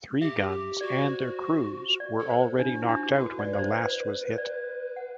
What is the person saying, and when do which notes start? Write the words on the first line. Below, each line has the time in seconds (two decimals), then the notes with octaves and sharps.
Three guns and their crews were already knocked out when the last was hit.
0.21 G4 E5
0.51 G4
0.81 F#4 D5
1.01 C5
1.20 C5
2.00 D5
2.20 A4
2.30 C5
2.59 D4 E4
2.74 F#4
2.82 E4
2.89 D4 F#4
3.03 G4
3.13 A4
3.18 F#4 B4
3.39 D5
3.53 C5
3.59 D5
3.77 C5
4.38 D5
4.96 F#5